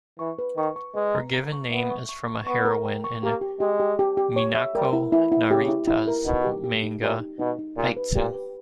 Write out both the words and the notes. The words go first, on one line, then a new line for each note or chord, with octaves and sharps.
Her given name is from a heroine in Minako Narita's manga "Aitsu".
E3 C#6
B4
D#3 C#6
C#6
G#3 B4
A#5
A#5
C#6
B3 E5
C#6
C#6
C#6
B3 C#6
A#4
G5
C#6
A#3 G4
G4
G#3 G4
G4
G4
G4
C#5
E5
G3 A#4
E4
E3 E4
E4
C#3 G4
E4
E4
A#4
B2 D#4
G4
G4
D#4
A#2 G4
D#4
B2 D#4
D#4
A#2 G4
B4
A#2 G4
B4